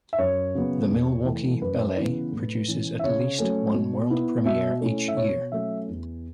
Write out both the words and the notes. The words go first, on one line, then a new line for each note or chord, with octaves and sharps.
The Milwaukee Ballet produces at least one world premiere each year.
E5
F#2 C#5
C#3 F#3 B3
E2
E3 A3
F#2 B4
C#3 E3 B3 E4
A2
E3 C#4
E5
C#3 C#5
F#3 A3 C#4
B2
B3 E4
B2 E5
A3 C#4 E4
E5
B2 C#5
F#3 A3 C#4 E5
E2